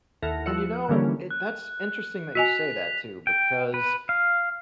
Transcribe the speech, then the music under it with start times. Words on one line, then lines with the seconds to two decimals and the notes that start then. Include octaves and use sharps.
And you know, it that's interesting that you say that too because
0.22 D#2 E4 A4 F#5 F6 A#6
0.46 F3 E6 F#6 C#7
0.89 D3 E3 F3 G3 A#3 C#4
1.31 F#6
2.35 F#4 D#5 G#5 B6 F7
3.27 G5
3.74 B4
4.09 F5